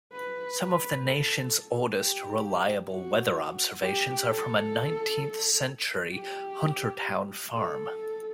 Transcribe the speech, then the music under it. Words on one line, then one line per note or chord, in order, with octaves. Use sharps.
Some of the nation's oldest reliable weather observations are from a nineteenth-century Huntertown farm.
B4
B4
A4
G4
F#4
G4
A4
G4
A4